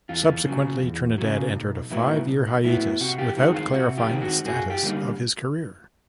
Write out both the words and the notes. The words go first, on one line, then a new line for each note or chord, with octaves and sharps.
Subsequently, Trinidad entered a five-year hiatus without clarifying the status of his career.
E2 F4
C#3 F#3
E2
C#3 F#3
B1
A2 F#3 B3 E4
B1
A2 F#3 B3 E4
C3 F#4
F4 G4
D#3 G#3 C4 F#4
F4
C3 F#4
F4 G4
D#3 G#3 C4
F#4
F#2 F#4 G#4
F4 G4
D3 G3 A#3 D#4